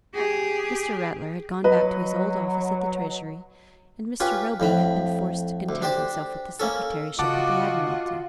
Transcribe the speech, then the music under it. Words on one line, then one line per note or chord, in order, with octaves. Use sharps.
Mr. Rattler had gone back to his old office at the Treasury and Mr. Roby had been forced to content himself with the Secretaryship at the Admiralty.
G4 G#4
F#3 B4 D#5
C#4 F4 G4 B4
F2 A2 B5
D2
D4 G4 C5 D5
A#3 C#4 A4
C#3 F4 F#4 D#5 F#5 A5 D6